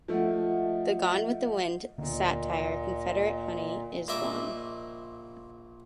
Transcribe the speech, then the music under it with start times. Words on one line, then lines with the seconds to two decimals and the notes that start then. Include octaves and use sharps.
The "Gone With the Wind" satire, "Confederate Honey", is one.
0.08 F3 A3 D#5 E5 F#5
1.98 D2 A#2 D3 A#3 D#5
4.08 A#1 A#2 D#5 E5 D6